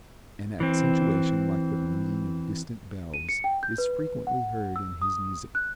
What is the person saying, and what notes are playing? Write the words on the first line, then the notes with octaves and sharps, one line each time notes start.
An accentuation like the ringing of distant bells is frequently heard in his music.
E3 C4
D#7
C#7
G5
G6
B4
F#5
E6
D#6
F#6